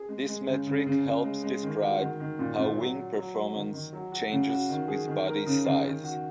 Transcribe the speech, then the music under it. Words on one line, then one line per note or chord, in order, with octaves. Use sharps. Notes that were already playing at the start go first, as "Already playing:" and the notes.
This metric helps describe how wing performance changes with body size.
Already playing: G#4
G#3
G#3
C#3
C#3
C#3
C#3
G#3
G#3
D#3
F#4
D#3
D#3
A#2
A#2
F#3
F#3
F#3
F#3
D#3
D#3
F#3
F#4
C#3
F#4
D#3
G#4
D#3
A#4
C#3
C#3
D#3
F#4